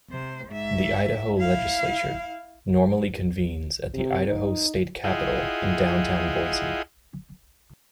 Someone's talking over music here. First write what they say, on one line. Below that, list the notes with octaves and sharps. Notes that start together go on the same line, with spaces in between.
The Idaho Legislature normally convenes at the Idaho State Capitol in downtown Boise.
C3 C5
G#2 E5
E4 F5
C3
D#4
E4 F4 G#4 D#5 F#5 G5